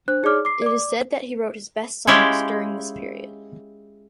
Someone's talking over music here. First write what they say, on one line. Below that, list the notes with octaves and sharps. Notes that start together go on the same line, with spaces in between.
It is said that he wrote his best songs during this period.
D4 C5 F#6
D#4 G#4 C#5 D5 D6 F6
D6 C7
D5 D6
G#3 C#4 E4 F4 G4